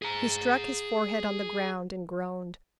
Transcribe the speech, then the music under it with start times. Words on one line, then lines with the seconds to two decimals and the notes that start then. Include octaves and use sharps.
He struck his forehead on the ground and groaned.
0.02 G#4 A#5